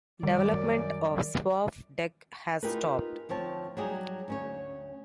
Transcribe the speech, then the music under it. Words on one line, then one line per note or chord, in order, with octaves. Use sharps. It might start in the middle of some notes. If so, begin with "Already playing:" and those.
Development of Swfdec has stopped.
F#2 D#3 G3 D5
D#4 F4 G4 G#4 A#4 B4
D2 F3 C4 C#5 A5
F#3 G3 D#4 G4 G#4
D2 C#4 C#5